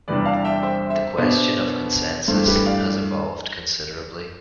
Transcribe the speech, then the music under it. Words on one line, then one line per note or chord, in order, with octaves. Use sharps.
The question of consensus has evolved considerably.
E2 C3 G3 D4 B4 D5
F5 A5
E5 G5
C5 E5
C5 E5
B2 B3 D4 C5 E5
G2 E3 A3 D4 A4 C5
G4 B4
D5 F5